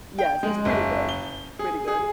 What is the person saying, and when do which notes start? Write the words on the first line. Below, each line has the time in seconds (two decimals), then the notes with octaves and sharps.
Yes, so, it's pretty good. It's pretty good.
0.19 G5
0.43 G#3
0.65 F#1
1.09 G7
1.59 G#4
1.88 G#4